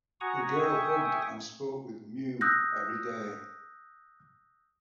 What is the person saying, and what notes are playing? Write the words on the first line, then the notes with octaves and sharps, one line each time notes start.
The girl hugged and spoke with Mew every day.
F#4 F#5 G#5 A#5 C#6 D#6
E5 G5 G#5 C#6 D#6
D#6 E6 F#6 G6 A#6